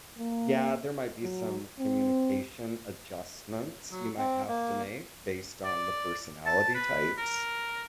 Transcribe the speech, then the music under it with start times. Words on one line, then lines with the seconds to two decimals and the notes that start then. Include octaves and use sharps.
yeah, there might be some communication adjustments you might have to make based on the personality types,
0.19 A#3
1.23 F#3
1.79 C4
3.91 F#3
4.17 C4
4.48 A#3
5.64 D5
6.46 A5
6.74 B4
7.17 A#4